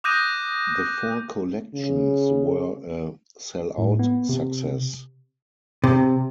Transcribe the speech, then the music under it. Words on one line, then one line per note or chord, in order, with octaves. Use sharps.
The four collections were a sell-out success.
D6 D#6 F#6 G6 A#6 D#7
C#3
A2
B3
C3
C3